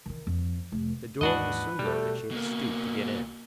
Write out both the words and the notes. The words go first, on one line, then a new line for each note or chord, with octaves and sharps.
The door was so low that she had to stoop to get in.
D#3 E3
F2
F1
D#2 G#2 E3 D4 F#4 B4 D#5
B2 G3 A3
B2 A#3